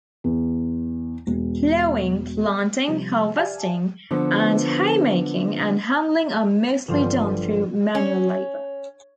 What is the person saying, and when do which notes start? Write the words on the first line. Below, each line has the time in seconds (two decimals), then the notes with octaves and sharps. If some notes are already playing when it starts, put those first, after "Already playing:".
Ploughing, planting, harvesting, and hay making and handling are mostly done through manual labour.
0.24 E2
1.27 E1
2.88 C3 F3 G3
3.36 G4 D5 E5 F5 G#5 A5
4.11 D3 F3 B3
6.88 G1 F3 G3 F4 C5
7.95 C#4